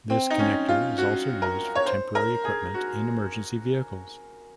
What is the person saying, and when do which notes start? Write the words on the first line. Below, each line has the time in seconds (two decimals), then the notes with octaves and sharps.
This connector is also used for temporary equipment in emergency vehicles.
0.10 C4
0.30 D#4
0.39 C#4
0.69 F4
0.98 F#4
1.42 A#4
1.75 C#5
1.86 C5
2.15 A#4
2.45 G#4
2.74 F#4